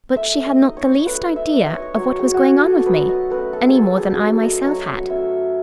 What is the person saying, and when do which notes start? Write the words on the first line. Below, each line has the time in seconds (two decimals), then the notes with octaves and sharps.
But she had not the least idea of what was going on with me, any more than I myself had.
0.16 A3 E5
0.47 D#5
0.61 D#4
0.77 C#5
1.06 A3 B4
1.36 E5
1.52 D#4
1.66 D#5
1.74 C#5
1.82 D#5
1.96 F#3 C#5
2.19 G#4
2.34 F#4
2.41 A3 C#4 G#4
2.64 A4
2.86 F#3 B4
3.08 D#5
3.30 A3 C#4 B4
3.53 A4
3.69 G#4
3.75 F#3 A4
3.98 G#4
4.15 G#4
4.20 A3 C#4 A4
4.43 D#5
4.60 F#3 C#5 D#5
5.10 A3 C#4 E5